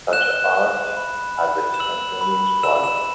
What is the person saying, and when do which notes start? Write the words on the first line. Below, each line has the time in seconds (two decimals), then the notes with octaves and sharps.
Such art has a spontaneous quality.
0.13 F#6 E7
0.55 F#6
0.97 B5
1.38 B5
1.74 E7
1.80 E6 F#7
2.21 B5
2.63 E6 E7
2.84 E7